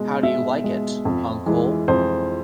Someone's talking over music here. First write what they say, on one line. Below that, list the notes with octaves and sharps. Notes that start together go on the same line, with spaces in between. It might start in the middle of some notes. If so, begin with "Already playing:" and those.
How do you like it, uncle?
Already playing: B2 G#3
B2 E5
G#3
F2
E3 G#3
F2 C5